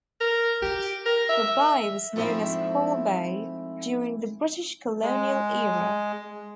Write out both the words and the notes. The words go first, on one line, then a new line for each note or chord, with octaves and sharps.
The bay was known as Cull Bay during the British colonial era.
A#4
G4
A#4
E5
G#2 F3 A3 C4 E4 E5
G#3